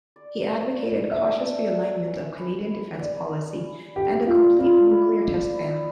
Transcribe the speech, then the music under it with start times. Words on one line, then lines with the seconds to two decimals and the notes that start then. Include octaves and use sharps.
He advocated cautious realignment of Canadian defence policy, and a complete nuclear test ban.
0.16 D5
0.48 D5
0.79 G3
1.11 D4 E5
1.42 D4
1.74 A4
2.06 C#4
2.37 E4
2.69 E4
3.00 C#4 D5
3.33 G3
3.63 E4
3.95 G4 A4
4.27 F4 D5
4.59 E4 F4
4.90 E4
5.22 D5
5.53 E4